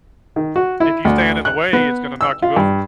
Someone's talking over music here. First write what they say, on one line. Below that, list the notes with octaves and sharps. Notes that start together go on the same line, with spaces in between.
if you stand in the way, it's gonna knock you over.
D#3
F#4
E4
D2
F#6
B3
E6
F4
G2